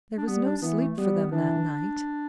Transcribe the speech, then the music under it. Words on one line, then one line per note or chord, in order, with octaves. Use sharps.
There was no sleep for them that night.
D4
G3 B3
D4
D4
E3 B3
A3
G3 B3
E3 D4